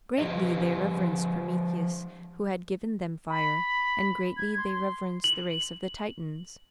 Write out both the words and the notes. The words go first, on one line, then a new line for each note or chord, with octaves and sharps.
Greatly they reverenced Prometheus, who had given them fire, and greatly they reverenced the race of the Titans.
F3 G4 B4 D#5
B5
G#6
C6
F#7